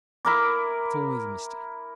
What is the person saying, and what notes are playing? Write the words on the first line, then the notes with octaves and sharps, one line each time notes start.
That's always a mistake.
E4 A#4 D6